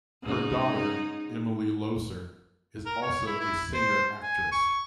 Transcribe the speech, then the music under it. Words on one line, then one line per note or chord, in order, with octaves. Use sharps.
Her daughter, Emily Loesser, is also a singer-actress.
G#2 C#3 D#4
A#4
C#5
E4
E4
C5
G#5
C#6